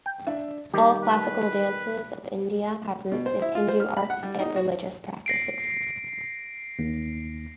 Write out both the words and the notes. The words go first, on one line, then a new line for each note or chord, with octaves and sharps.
All classical dances of India have roots in Hindu arts and religious practices.
G5
D4 D5 E5
D#3 G3 G4
B4
B2
C5
E4
F4
C5
F6
B5
F#5
G3
D#4
F#4
A#6 C7 D7
D#2